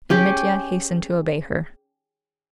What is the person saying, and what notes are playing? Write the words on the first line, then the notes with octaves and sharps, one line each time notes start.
And Mitya hastened to obey her.
C#4 G4 G#4